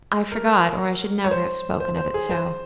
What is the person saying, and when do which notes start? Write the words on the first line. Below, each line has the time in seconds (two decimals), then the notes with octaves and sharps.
I forgot, or I should never have spoken of it so.
0.32 A#4
1.24 C#5
1.31 C5
1.80 C5
1.97 C5
2.14 G#4
2.30 C5